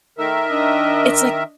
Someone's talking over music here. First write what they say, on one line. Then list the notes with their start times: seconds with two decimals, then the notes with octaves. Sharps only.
it's, like
0.18 D#3 A3 D#4 A#4 E5
0.48 D4 D#5